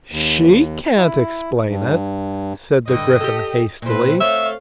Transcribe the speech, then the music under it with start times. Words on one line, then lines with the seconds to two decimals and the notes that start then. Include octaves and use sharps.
'She can't explain it,' said the Gryphon hastily.
0.12 D#2
0.96 E4
1.68 G2
2.88 G2 D3 D#5 G5
3.21 G4 A4
3.82 A#2 C4 E4 B4
4.20 A3 C#5 E5 F5